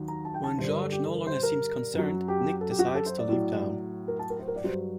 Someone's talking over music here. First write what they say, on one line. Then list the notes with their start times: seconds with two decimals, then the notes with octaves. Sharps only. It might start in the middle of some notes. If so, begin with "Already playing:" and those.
When George no longer seems concerned, Nick decides to leave town.
Already playing: D#2 D#3 F#3
0.08 A#5
0.25 A5
0.34 G5
0.44 A5
0.58 G2 D3 G3 C5
0.70 A#4
0.81 A4
0.92 G4
1.04 A4
1.15 A#4
1.27 C5
1.43 A#4
1.94 F#2 F#3
2.28 G4
2.61 A4
2.70 G4
2.79 F#4
2.86 G4
2.95 A4
3.06 C5
3.18 D5
3.29 A2 F#3
4.08 A#4
4.19 A5
4.30 A#4
4.39 C5
4.48 A#4
4.56 D5
4.64 G2 F#3 C5